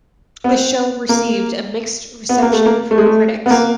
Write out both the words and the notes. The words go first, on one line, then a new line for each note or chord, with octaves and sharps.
The show received a mixed reception from critics.
B3
C4
A#3
B3
A#3
A3
A#3
A3
G#3
A3
B3
A#3